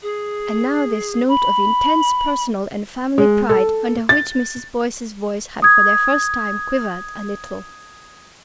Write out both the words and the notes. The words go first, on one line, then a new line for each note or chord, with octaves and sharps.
And now this note of intense personal and family pride, under which Mrs. Boyce's voice had for the first time quivered a little!
G#4
B5
G#3
A4
A6
D#6 G#6